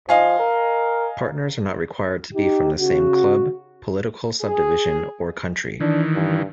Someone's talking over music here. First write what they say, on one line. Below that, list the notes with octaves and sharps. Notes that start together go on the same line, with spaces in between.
Partners are not required to be from the same club, political subdivision, or country.
F3 D#5 F5 G#5
A#4
D#4 G4
C#3 F#4
G#4
D#3 E3 D4
G2